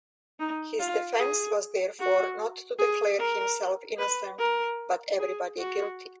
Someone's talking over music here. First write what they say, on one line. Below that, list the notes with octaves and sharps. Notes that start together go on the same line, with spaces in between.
His defence was therefore not to declare himself innocent, but everybody guilty.
D#4
F4
G#4
F#4
G#4
A#4
B4
A#4
G#4
F#4